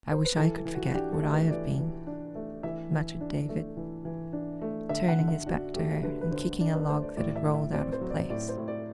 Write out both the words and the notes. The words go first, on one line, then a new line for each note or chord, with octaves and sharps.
"I wish I could forget what I have been!" muttered David, turning his back to her and kicking a log that had rolled out of place.
C5
B4
E3 A4
A4
E3
F#4
F#4
D4 G4
A4
A3
B4
E3 D5
E3
D4
A3
E3 E5
E3
D4
A3
E3
E3
D4
A3
D3 E5
F#5
D3
E5
D4 F#4
A3 G4
D3 B4
B4
D3 C5
D4
B4
A3 C5
D5
A2 D5
E5
A2
E5
C4 D5
C5
F#3
D5
A2 D5
C5
A2
D5